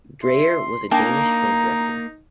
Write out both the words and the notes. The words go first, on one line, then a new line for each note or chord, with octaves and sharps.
Dreyer, was a Danish film director.
E5 C6
A#3 D4 D#4 G5 A5 A#5